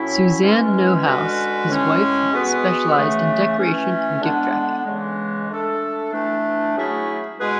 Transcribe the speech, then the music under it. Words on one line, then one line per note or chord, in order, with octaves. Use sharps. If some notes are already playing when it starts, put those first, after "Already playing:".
Suzanne Neuhaus, his wife, specialised in decoration and gift wrapping.
Already playing: A2 F#3 C#4 E4
E3 G#3 C#4
D3 G#3 C#4 F#4 B4
A2 G#3 C#4
G#3 B3 F#4 B4
C#3 E3 A3
E3 A3 C#4
D3 G#3 B3 D4
C#3 E3 G#3
A3 D4 A4
E3 A3 D4
F#3 A3 C#4 E4 G#4
B2 G#3 C#4 G#4 B4